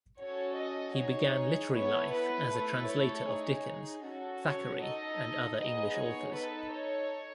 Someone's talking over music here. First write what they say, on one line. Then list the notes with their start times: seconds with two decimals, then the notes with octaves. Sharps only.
He began literary life as a translator of Dickens, Thackeray, and other English authors.
0.20 C#4 F#4 A4 C#5
0.58 D#5
0.97 D#4 G#4 C#5
1.74 B3 E4 A4 C#5
2.12 B4
2.51 A3 E4 A4
2.89 C#5
3.27 D#4 G#4
4.04 C#4 F#4 A4
4.42 C#5
4.81 D#4 A4 D#5
5.58 B3 D#4 G#4 D#5
5.97 C#5
6.35 D#4 A4 B4
6.73 C#5